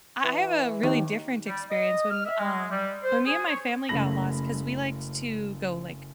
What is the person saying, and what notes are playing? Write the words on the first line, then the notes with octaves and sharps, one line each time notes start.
I I have a really different experience when, um when me and my family got lost- 'cause we liked to go, like,
E3
D#2 D#4
G3
D#5
F6
E5
G#3
G3
C5
G#4
C#5
F#1 C#3 A3 B5 A#6 F#7